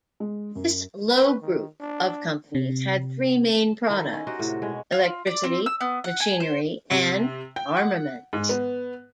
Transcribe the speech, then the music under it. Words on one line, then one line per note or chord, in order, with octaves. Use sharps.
This 'Loewe Group' of companies had three main products: electricity, machinery, and armaments.
G#3
F#2
B4
D#3
D4
C3
D#3 D#4 E4 A4
C#4
D#4 F#4 G4 C5
A2 C3
B2 G#3 C#5
F4
D5
C4
E6
B3
F#5
G#5
C5
C3
G5
F#5
G#2
B3